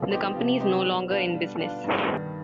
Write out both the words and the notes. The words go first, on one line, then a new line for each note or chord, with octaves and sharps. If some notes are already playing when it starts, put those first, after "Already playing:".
The company is no longer in business.
Already playing: B2 D3 F3
B3 D#4 G4 C5
C3 F3
B3 D#4 G4 C5
B2 D3 G3
D4 F4 B4
G3
D4 F4 B4
G2
D#3 G3 B3